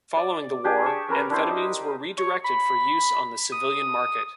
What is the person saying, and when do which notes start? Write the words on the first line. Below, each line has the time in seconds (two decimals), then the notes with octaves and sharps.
Following the war, amphetamines were redirected for use on the civilian market.
0.17 D5
0.64 D4 G4 G#4
0.86 A5 C#6
1.09 C#4 A#4 B4 A#5
1.30 D4 E4 C5
1.50 D#5
2.18 C#5
2.44 B5
3.52 D#6